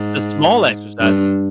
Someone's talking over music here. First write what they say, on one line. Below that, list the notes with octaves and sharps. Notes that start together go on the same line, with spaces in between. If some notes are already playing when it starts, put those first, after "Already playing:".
the small exercise
Already playing: G#2
G2